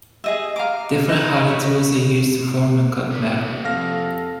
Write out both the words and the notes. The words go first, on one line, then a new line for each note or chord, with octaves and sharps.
Different hardy tools are used to form and cut metal.
G#4 D#5 E5
F5 A#5 D6
D#4 B4
C#5 B5
D#1 C3 B4
F2 A4 F5 F6 A#6